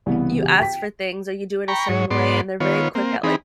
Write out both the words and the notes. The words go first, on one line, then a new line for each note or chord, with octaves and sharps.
you ask for things or you do it a certain way, and they're very quick at, like,
C2 C#3 E3 B3
G4
G5 B6
G5 A#5 B5 C#6
G#2 F#3 C#5
G#2 B3 D5 C6
D#3 B3 F4 C#5
A#3 C4
E3 C4 D#4 G#4 B5